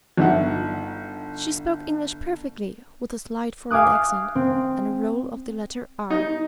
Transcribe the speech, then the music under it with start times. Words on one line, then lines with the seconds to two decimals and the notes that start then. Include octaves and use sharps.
She spoke English perfectly, with a slight foreign accent and a roll of the letter "r."
0.17 G1 D#4 E5 F#5
3.70 F5 G#5 D6 D#6 F#6
4.35 C4
6.10 D#4